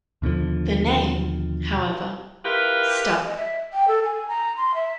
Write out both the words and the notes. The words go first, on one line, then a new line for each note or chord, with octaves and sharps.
The name, however, stuck.
D#2 B2 D3 F3
E4 F4 G4 A#4 B4
D#5
E5
G5
A4
G#5
A#5
C6
E5